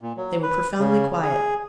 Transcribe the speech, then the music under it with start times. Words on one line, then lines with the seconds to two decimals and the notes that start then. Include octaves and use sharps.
They were profoundly quiet.
0.01 A#2
0.17 F#3
0.43 B4
0.79 C#3
1.23 G#4